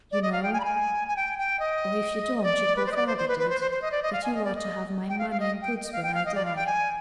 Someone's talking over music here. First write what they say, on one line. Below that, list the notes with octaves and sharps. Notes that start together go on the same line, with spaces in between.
You know, or if you don't, your poor father did, that you are to have my money and goods when I die.
D5
D#5
F5
G5
G#5
B5
G#5
G#5
G5
G5
D#5
D5
B4
C5
D#5
D5
C5
C5
B4
B4
C5
C5
C5
D#5
D5
D#5
F5
G#5
D#5
D5
D#5
G5
F5
F5
D#5
G5
D#5
F5
G5
F5
D#5
D5
F5
G5
G#5